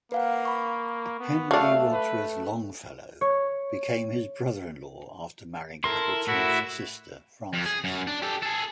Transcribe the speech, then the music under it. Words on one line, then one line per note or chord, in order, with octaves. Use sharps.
Henry Wadsworth Longfellow became his brother-in-law after marrying Appleton's sister Frances.
A#3 B4 F5 F#5
B5 C#6
B3
F#3 A3 D4 A4 F5
B4
C#5
E4 A4 A#4 C6
A2 E4 F#4 E5
F2
G#4
F#2
D4
G4 A4
G#4 A4